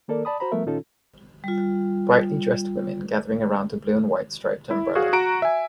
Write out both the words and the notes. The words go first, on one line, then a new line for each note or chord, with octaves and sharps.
Brightly dressed women gathering around a blue and white striped umbrella.
D#3 A#3 A4 A#4 D5
D5 A5 B5 D#6
F#4 C5 A#5 B5
F3 G3 A3 B3 A#4 E5
A#2 D#3 C#4 D#4 F4 A4
G3 F4
E4
F#4 G#4 F5
F#4 A#5 D7
E5 G#5